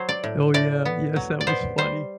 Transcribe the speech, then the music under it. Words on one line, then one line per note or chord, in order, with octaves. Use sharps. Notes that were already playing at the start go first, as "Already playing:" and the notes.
Oh, yeah, yes, that was funny.
Already playing: F#3 C5
D5
A2
A2 D5
B3
F#3
D5
B3 C5
G3 C5